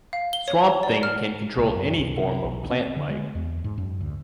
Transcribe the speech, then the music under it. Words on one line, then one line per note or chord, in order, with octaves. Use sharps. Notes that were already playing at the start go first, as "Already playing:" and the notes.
Swamp Thing can control any form of plant life.
F5
G7
C#5
D5
F6
C2
F#2
C2
C3
B1
C4
D3
G#3
E2
G#2
F#2
D2